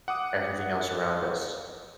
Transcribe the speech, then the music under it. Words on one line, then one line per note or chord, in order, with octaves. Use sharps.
everything else around us.
F#5 D6 D#6